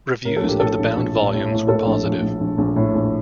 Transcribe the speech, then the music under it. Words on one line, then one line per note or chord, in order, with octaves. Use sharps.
Reviews of the bound volumes were positive.
A2 A#4
A4
A#1
G4
A2 A4
A#1
A#1
A2
A2
A2
A2 A4
A#1
A#1
A#1
A#1
A#1
A2
A#1